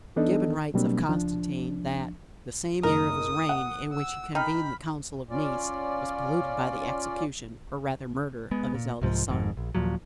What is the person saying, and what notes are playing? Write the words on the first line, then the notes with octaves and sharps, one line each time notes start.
Gibbon writes of Constantine that "the same year of his reign in which he convened the council of Nice was polluted by the execution, or rather murder, of his eldest son."
E3 B3 D4 D#4 A4 D#5
B2 F#3 G3 A#3 C4 D4
C#2 F3 D4
F#1 D#4 A#4 D#6
F#5
E6
D#4 G5 B5 F6
C#4 F4 D5
G#3 B3
A#2
C2 G#2 F3
G#1 F2 G#2
A#1
D#2 A#2 F3 F#3